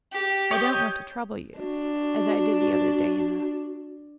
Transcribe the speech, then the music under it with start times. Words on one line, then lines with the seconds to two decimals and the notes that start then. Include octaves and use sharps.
I don't want to trouble you--as I did the other day in Rome.
0.13 G4
0.51 C#5 D#5 G5
1.59 D4 F#4